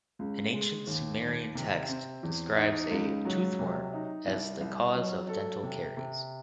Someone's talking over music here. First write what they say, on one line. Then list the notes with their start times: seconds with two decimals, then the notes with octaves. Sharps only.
An ancient Sumerian text describes a "tooth worm" as the cause of dental caries.
0.19 C#2
0.54 G#3
0.87 D#2
1.21 D#2
1.55 C3
1.89 C4
2.23 E2
2.57 D#4
2.91 C#2
3.25 F#3
3.59 C3
3.93 D#4
4.27 C2
4.61 C2
4.95 F#3
5.29 A4
5.63 C3
5.97 C3